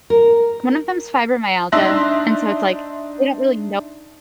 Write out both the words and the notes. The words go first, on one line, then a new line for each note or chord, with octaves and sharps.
one of them's fibromyalgia, and so it's like, they don't really know
A#4
D4 D#4 E5 C6 F#6 A#6